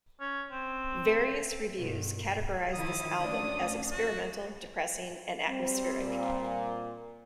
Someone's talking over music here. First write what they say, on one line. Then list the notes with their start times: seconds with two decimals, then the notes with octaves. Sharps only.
Various reviews categorised this album as experimental, depressing and atmospheric.
0.20 C#4
0.51 C4
1.77 G2 B2
2.73 D#3 F3 E4 D#6
3.20 D2 C#4 D4
3.91 F#4
5.47 G3 C4
6.01 A#2